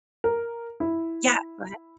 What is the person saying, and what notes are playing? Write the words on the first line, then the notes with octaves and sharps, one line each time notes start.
yeah, go ahead.
A#4
E4